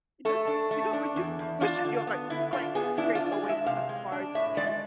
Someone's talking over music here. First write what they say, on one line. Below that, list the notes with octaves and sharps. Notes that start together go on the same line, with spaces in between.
You know you know when you squish it, you're like, "Scrape, scrape away," for as far as you can?
A3 A4
D4
A3
D4
E2
E2
D4 F4
D3
B3
D3 E4
D4 F4
B3 G#4
D4 E4
F4
D4
G#4
G#3
E5
C3 F5
G#3
D4
A2 E5
G#3 D5